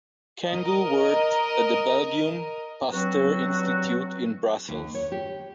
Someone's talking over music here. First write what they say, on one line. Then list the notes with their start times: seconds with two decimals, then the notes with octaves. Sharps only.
Gengou worked at the Belgium Pasteur Institute in Brussels.
0.47 A#4 D#5
2.91 G2 F#3 C4 F#4
4.69 D#2
4.95 C#5
5.12 G4